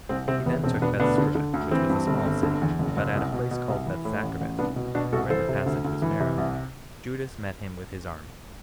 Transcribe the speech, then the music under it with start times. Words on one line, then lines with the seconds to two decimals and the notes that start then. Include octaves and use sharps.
He then took Bethsura, which was a small city; but at a place called Bethzacharis, where the passage was narrow, Judas met him with his army.
0.09 C2 C4
0.28 C3 C4
0.46 E2 B3
0.64 E1 C4
0.82 E1 B3 D4
1.00 D2 B3 D4
1.18 D3
1.35 D3
1.54 D2
1.71 E3 C4
1.89 G2
2.07 G1
2.26 G1
2.43 D3
2.62 E2
2.79 F#1
2.97 F#1
3.15 C2
3.33 B2
3.51 B2
3.69 C2
3.86 E3
4.05 A2
4.23 A1
4.41 A1
4.59 C2 B3 D4
4.76 B2
4.94 B2 D4 F#4
5.12 C2 F#4 A4
5.30 E3 A4 C5
5.49 C3
5.66 D2
5.85 D2
6.02 E3
6.20 C3
6.38 C2